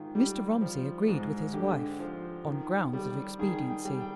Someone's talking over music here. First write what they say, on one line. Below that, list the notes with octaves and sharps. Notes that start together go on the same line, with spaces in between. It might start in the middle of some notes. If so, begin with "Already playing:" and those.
Mr. Romsey agreed with his wife, on grounds of expediency.
Already playing: G#2 D#3 F4
G3
F3
G#2
D3 G4
F3
D#3
G3
D#3 G#4
G5
G3
G5